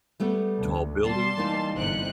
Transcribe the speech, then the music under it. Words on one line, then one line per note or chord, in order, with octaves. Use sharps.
Tall building.
G3 A3 B3
D2
G3 B3 A5 C6
E3 A#3 D#4
G1 C3 F#6